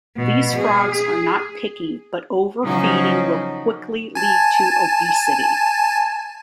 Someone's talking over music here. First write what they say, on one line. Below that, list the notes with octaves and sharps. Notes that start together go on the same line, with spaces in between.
These frogs are not picky but overfeeding will quickly lead to obesity.
B2
G#4
G#4
C#3 F3 F#3 D#4 F#4 C#5
G#5 A5